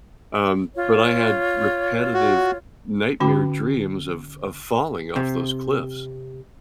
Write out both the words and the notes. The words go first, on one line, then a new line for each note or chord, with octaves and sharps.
Um, but I had repetitive nightmare dreams of of falling off those cliffs.
F4 C#5
F#4
D3 C#4 F#4 G5 B5 D6
C3